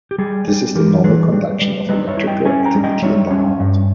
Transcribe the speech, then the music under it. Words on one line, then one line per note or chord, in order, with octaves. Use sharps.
This is the normal conduction of electrical activity in the heart.
G4
G3 G#4
G3
E3 G4 A#4
E3 G#4 B4
G3
G3
G3 B4 D#5
C#5 E5
E4
E5
D#5 G5
C#4 E5 G#5
G5 A#5
G3
D#5 G5
G3 C#5 E5
C#4
G2